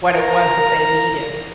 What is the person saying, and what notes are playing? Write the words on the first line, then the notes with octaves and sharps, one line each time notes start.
what it was that they needed.
A#4 A#5